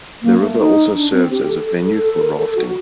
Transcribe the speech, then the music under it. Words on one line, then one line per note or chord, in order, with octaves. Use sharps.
The river also serves as a venue for rafting.
A#3
A3
D#4
D4
C4
G4
A4
A4
A4
A4
A#4
A4
F#4